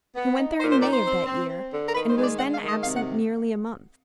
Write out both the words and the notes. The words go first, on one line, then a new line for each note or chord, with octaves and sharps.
He went there in May of that year, and was then absent nearly a month.
B3
D#4
A#2 C5
C5
D#4 D5
C5
C4
C4
C4
D3
A#4
D#3 B4
C5
G#3
D5
G#3 F#5
F5
D#3
D#5
C3 F5
F#5